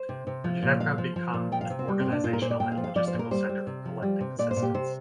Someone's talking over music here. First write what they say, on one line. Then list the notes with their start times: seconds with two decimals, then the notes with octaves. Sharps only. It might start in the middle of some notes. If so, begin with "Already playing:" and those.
Rijeka become an organizational and logistical center for collecting assistance.
Already playing: C5
0.09 C3
0.27 C3
0.44 F3
0.63 A#2
0.80 F3 F5
0.98 F3
1.16 F3
1.34 A#2
1.52 F3 G5
1.61 F5
1.70 C3
1.79 C4
1.88 G3
2.00 C4
2.06 A#2
2.12 D4
2.24 A#2 F4
2.33 A#4
2.42 A#2 C5
2.51 D5
2.60 A#2 G5
2.72 F5
2.77 F3
2.84 F5
2.96 F3 D5
3.07 C5
3.14 A#2
3.19 A#4
3.31 G3 C5
3.49 G3
3.67 C3
3.85 F3
4.02 G3
4.21 C3
4.39 A#2 D5
4.51 C5
4.56 A#2
4.62 G4
4.74 C3 C5